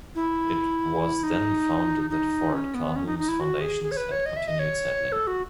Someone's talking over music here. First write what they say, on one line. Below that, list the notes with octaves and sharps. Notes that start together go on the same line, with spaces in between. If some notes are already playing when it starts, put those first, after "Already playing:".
It was then found that Fort Calhoun's foundations had continued settling.
E4
D#4
D#4
C#4
B3
C#4
D#4
D#4
E4
F#4
G#4
G#4
C#5
B4
C#5
D#5
E5
D#5
C#5
A4
F#4